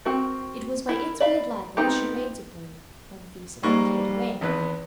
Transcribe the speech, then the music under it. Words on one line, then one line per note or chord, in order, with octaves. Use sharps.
It was by its weird light that the charades were played, when the feast had been cleared away.
C4 F#4 A#4
E4 A#4
D5 E5 F5 B5
B3 C4 D#4 F4 G4
G#2 G3 A#3 C#6
G#1 E2 B4